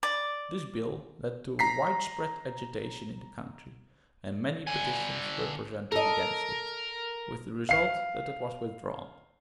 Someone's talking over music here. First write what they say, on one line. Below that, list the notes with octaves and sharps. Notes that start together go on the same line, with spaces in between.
This bill led to a widespread agitation in the country, and many petitions were presented against it, with the result that it was withdrawn.
D5
A#5 B6 C7
D3 G#5
A4 A#4 D#5
F5 C7